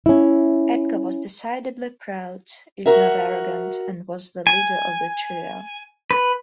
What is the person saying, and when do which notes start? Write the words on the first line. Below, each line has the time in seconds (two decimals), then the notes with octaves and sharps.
Edgar was decidedly proud, if not arrogant, and was the leader of the trio.
0.06 C#4 E4
2.86 F#4 A#4 E5
4.47 G#5
6.11 B4